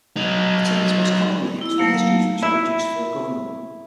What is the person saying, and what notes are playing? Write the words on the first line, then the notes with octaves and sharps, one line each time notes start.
The term is most commonly used for histories which are produced for a government.
F#3 D#4
E4 E6
F#3 A3 A#3 D#4 F5
E4